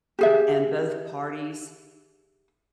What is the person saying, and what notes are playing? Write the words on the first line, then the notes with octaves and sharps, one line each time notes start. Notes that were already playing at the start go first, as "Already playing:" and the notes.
and both parties
G4 G#4 E5